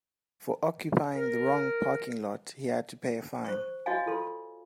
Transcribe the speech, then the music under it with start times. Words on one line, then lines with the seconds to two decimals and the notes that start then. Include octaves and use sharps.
For occupying the wrong parking lot he had to pay a fine.
1.16 A#4
3.44 C5 C#6
3.86 F#4 C#5 D#5 F5 G#5
4.06 F4 A4 C6